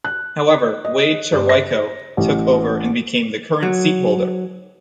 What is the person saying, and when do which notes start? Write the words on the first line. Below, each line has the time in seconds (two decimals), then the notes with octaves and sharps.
However Wade Cherwayko took over and became the current seat holder.
0.04 F#6
0.85 D#5
1.32 G2
1.49 A#6
2.17 A1
3.63 F#3